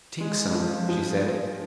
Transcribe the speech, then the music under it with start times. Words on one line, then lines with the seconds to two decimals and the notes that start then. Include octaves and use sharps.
"Take some," she said.
0.20 G#3
0.55 F3
0.89 F3